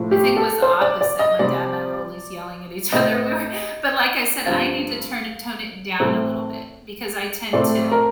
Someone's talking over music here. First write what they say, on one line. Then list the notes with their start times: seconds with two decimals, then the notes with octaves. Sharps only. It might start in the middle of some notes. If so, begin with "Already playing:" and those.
I think it was the opposite. My dad and I were always yelling at each other. We were But like I said, I need to turn it tone it down a little bit, because I tend to
Already playing: A2 F3 A3
0.11 G4
0.37 A4
0.62 C5
0.81 D5
1.01 D5
1.19 D#5
1.39 C3 G3 C4 D5
2.92 A2 A3 C4 D#5
4.46 G2 F3 C4 F5
6.00 A2 A3 C4
7.53 A2 A3 C4 D5
7.92 A#4